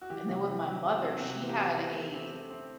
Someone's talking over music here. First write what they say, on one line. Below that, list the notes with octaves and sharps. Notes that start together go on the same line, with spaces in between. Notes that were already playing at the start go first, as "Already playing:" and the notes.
and then with my mother, she had a
F#4
E3 G4
C3
E3
F#3
C4
C4
C3 F#4
E3
G4
B3
E3
A3
C4
A3
C4